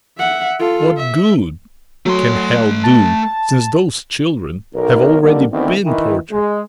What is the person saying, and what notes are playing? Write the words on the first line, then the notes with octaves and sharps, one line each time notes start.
What good can hell do, since those children have already been tortured?
E5 F#5
F4 A4
E5
F#3 A3 C6
A5
B1 A#4
D3 D#3 F#3 G3 A#3
D2 D#3 E3 B3 C4
D#3 E3
G#3